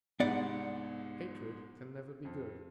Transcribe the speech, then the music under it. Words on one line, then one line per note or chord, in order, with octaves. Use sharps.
Hatred can never be good.
C2 G#2 G#3 B3 D5 F#5
F2